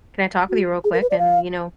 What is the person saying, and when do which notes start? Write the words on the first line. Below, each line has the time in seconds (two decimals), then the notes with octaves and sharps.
can I talk with you real quick?" And, you know,
0.50 F#4
0.84 G#4
0.93 A#4
1.02 B4
1.11 D5
1.18 F5